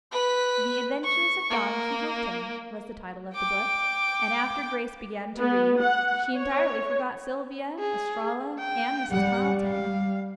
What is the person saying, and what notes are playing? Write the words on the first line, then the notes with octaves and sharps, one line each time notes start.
"The Adventures of Don Quixote," was the title of the book, and after Grace began to read she entirely forgot Sylvia, Estralla, and Mrs. Carleton.
B4 B6
C#6
A#3
G5 D6
B3
F#5
C#5
G#4
G5
G3 F#5
F5